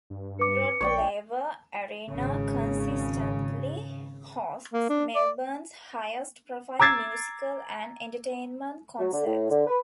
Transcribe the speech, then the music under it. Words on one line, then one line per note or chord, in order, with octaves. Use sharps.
Rod Laver Arena consistently hosts Melbourne's highest-profile musical and entertainment concerts.
G2
B4 D6 C#7
A#1 C#5 D5 G5
G#1 C#3
A#3
D4
D5
A#5 D6 E6 G#6 A6 C7
F#3
D3
A2
D3
B4